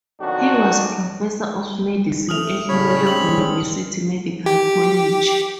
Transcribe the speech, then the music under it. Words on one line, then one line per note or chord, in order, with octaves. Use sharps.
He was Professor of Medicine at New York University Medical College.
B1 F2 D#3 C#4 D4 F#4
A3 D#6 F6 F7
A2 C#3 G3 C#5 B5
G#3 C4 D4 F#7
G4